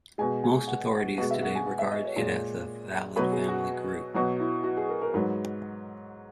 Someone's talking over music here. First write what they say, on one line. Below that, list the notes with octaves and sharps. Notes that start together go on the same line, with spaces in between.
Most authorities today regard it as a valid family group.
B2 G#3 G#5
G#5
F#5
F#5
B2 G#3 F#5
E5
F#5
G#5
F#5
E5
D#5
C#5
A#2 G#3
B2 F#3 B4
G#4
F#4
B2 F#3 F#4
E4
F#4
G#4
A#4
A#4
G#2 F#3 B4